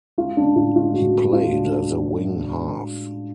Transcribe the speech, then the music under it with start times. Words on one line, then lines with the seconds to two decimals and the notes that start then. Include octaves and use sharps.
He played as a wing half.
0.18 G#3 F4
0.37 G#3 D4
0.56 A2 F4
0.76 G#3 F4
0.94 A2 F#4
1.14 D4
1.33 G#3 F4
1.52 D4